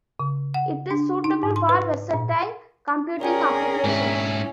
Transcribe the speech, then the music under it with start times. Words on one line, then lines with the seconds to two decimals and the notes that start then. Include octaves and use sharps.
It is suitable for versatile computing applications.
0.20 C#3
0.54 F#5
0.91 D4
1.24 D#4
1.43 G#2
1.56 C6
1.69 B4
2.14 A#2
3.21 C#4 G#4 A#4 D5 G5 G#5
3.84 G#2 E4